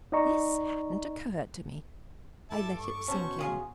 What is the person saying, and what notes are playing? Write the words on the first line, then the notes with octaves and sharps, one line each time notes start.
This hadn't occurred to me; I let it sink in.
D#4 D5 D#5 A#5 C#6
G2 E4 A4 A5 D6
C#6
B2 C#4 F#4 A4 C5
F4 G#4 C6